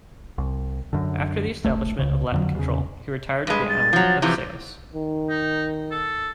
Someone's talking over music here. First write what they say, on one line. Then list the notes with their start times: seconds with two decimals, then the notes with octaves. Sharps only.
After the establishment of Latin control, he retired to the island of Ceos.
0.38 C2
0.93 F#2 D3
1.65 D1 G1 A3
1.99 C#2 C#3
2.32 F2 D3 F#3
2.55 E2 C#3
3.47 G2 G#3 B4
3.69 A6
3.93 F3 F#3
4.22 C3 E3 F3
4.94 D#3
5.29 D#4
5.91 A4